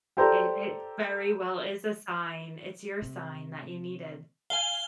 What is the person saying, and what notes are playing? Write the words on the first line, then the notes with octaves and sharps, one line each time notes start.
It it very well is a sign. It's your sign that you needed.
G4 A4 C5 D5 A#5
C3
F5 G#5 G7